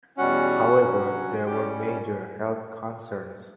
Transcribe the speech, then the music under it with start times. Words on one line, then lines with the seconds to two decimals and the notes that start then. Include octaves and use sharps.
However, there were major health concerns.
0.17 E2 B2 G3 C#4 F#4 F#5
0.82 G2 F#3 C#4
1.46 A2 G3 C#4 G4 G5